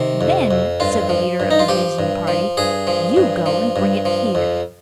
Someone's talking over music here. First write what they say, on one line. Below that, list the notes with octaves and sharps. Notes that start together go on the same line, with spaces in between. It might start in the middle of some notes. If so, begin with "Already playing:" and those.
"Then," said the leader of the hazing party, "you go and bring it here."
Already playing: C3 D#3
F2
F2
G2 F4
F3
G2
D#4
F4
F3 G4
G2
F3
G2 G#4
F3
G2
F3
G2
F3
F2